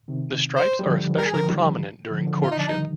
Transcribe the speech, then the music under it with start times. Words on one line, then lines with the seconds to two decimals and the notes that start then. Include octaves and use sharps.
The stripes are especially prominent during courtship.
0.08 C3 D#3
0.56 C5
0.79 G3
0.86 D3 F3
1.17 D#3 G3 A#4
1.25 G#4
1.33 D3 F3 A#4
1.48 D#3 G3
2.11 D3 F3
2.26 D3 F3
2.42 A#2 D3 F4
2.51 D#4
2.58 D3 F3 D4
2.68 D#4
2.73 D#3 G3